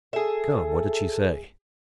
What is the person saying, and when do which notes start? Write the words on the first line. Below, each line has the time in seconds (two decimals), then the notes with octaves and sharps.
"Come, what did she say?"
0.13 G#4 A4 E5